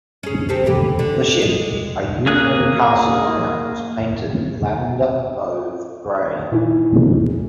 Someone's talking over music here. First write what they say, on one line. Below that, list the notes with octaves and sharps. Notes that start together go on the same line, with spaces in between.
The ship, a Union-Castle liner, was painted lavender mauve grey.
C#4 G#4
C4 G4 A4
D2 E3 G4
D3
G#3
A#3 G#4 F#6
A#2 D#3 E3 E4